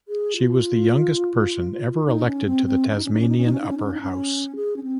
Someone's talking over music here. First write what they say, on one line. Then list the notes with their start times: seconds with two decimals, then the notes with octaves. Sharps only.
She was the youngest person ever elected to the Tasmanian upper house.
0.08 G#4
0.37 F4
2.04 D#4
2.26 C#4
2.46 C4
2.66 C4
2.88 C#4
2.96 D#4
3.05 C#4
3.13 D#4
3.21 C#4
3.29 D#4
3.37 C#4
3.45 D#4
3.53 C#4
3.61 D#4
3.69 C#4
3.77 D#4
3.85 C#4
3.94 D#4
4.02 C#4
4.56 G#4
4.76 C#4
4.83 C4